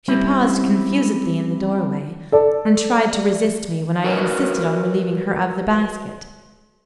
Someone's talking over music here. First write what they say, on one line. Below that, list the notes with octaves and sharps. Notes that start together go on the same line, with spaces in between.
She paused confusedly in the doorway, and tried to resist me when I insisted on relieving her of the basket.
G3 C4 C#4 E4
A4 D5
F#4 A#4 B4 C#5 D#5